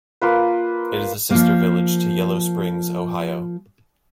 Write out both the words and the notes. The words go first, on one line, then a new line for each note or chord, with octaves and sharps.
It is a sister village to Yellow Springs, Ohio.
A#3 F4 B4
F3 A#3